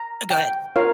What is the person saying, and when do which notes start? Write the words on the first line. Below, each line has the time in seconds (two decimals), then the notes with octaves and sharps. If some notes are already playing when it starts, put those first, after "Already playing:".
uh, go ahead.
Already playing: A#5
0.30 G5
0.76 F4 A#4 C#5 F5